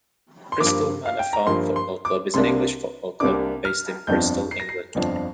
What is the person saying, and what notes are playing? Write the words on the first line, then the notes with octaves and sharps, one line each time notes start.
Bristol Manor Farm Football Club is an English football club based in Bristol, England.
C6
G2 F3 A#3 D6
F5
G5
A#5
G2 F3 A#3 C6
C6
D6
C2 C3 A#3 D4 C6
C2 C3 A#3 D4 D6
F6
G1 F2 F3 D4 G6
C7
A#6
C7
G1 F2 F3 D4